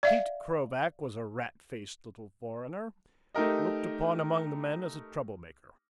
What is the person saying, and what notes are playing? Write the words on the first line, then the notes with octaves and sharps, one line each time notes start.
Pete Krovac was a rat-faced little foreigner, looked upon among the men as a trouble-maker.
D5 E5 F5
A3 D#4 G4 A#4 D#5